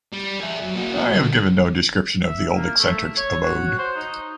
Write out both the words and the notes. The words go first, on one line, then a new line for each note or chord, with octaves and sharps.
I have given no description of the old eccentric's abode.
G3
G#4 E5
F#2
A#3 F#4
D2 D3
E5
A#3
A3
C#5
F#4
C5
D#4